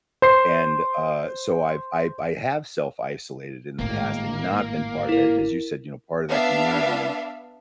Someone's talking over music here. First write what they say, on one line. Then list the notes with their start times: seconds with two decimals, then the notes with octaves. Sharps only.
and, uh, so, I've I I have self-isolated in the past and not been part of it as you said, you know, part of that community,
0.22 C5 C7
3.79 G#1 A2 A#3
5.09 E4 A#4
6.29 B3 D4 E5 F5